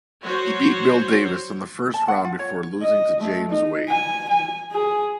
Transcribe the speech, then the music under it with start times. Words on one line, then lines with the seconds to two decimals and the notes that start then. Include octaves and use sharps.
He beat Bill Davis in the first round before losing to James Wade.
0.24 F#3 F#4 C5 C#5
1.94 A5
2.08 F#5
2.25 F4
2.39 C#5
2.82 D#5
3.20 A3
3.50 D#4
3.89 G#5
4.29 G#5
4.72 G#4